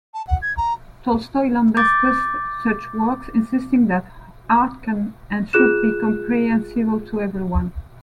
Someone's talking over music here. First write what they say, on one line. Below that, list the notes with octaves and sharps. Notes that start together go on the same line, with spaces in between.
Tolstoy lambastes such works, insisting that art can and should be comprehensible to everyone.
A5
F#5
G#6
A#5
D6 G6 A6
F4 G#4 F#6 E7